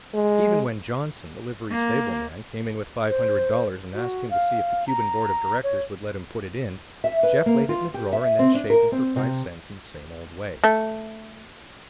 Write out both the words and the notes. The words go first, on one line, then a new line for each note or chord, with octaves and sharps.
Even when Johnson, the livery stable man, came in with five hundred dollars and asked him to see if the Cuban Board of Directors would let him put it in, Jeff laid it in the drawer and then shaved him for five cents, in the same old way.
G#3
A#3
C5
F#4
F5
A#5
C#5
E5
B4
A#3
F4
G4
E5
C4
D4
A#4
C4
C3
A3